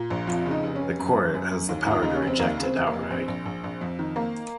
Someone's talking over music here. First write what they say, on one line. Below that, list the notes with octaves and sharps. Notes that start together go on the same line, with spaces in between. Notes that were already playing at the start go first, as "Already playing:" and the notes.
The court has the power to reject it outright.
Already playing: A#2
A#1
F2 F4
C#3
D#4
F1
C#4
F1
F#2
F#2
F#2
F#2
D#2
D#2 F4
C#3 D#4
C#4
F1 C4
D#2 A#3
C#3
C4
F1
A#3
F1
A#1 C4
A#1
A#1
A#1
F2
D#3
A#3